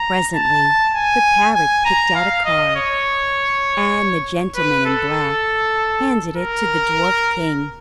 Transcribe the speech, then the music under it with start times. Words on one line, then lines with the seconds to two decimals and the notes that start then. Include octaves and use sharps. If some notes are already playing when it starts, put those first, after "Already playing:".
Presently the parrot picked out a card, and the gentleman in black handed it to the Dwarf-King.
Already playing: A#5
0.35 A5
0.95 G#5
1.56 G#5
1.85 A#5
2.15 F5
2.45 D#5
2.76 C#5
4.56 B4
4.86 A4
6.36 A#4